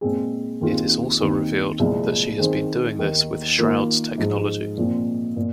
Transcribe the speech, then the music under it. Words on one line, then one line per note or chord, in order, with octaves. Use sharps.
It is also revealed that she has been doing this with Shroud's technology.
A#2 G#3 C4 G#4
D#2 D#3 C4 F4 G#4
D#2 D#3 C4
C2 A#2 F3 G#3
D#3 C4 G#4 C5
D#2 D#3 A#3 D#4
D#3 A#3 F4 A#4
G#2 F3 G#3
A#2 F3 C4
A#2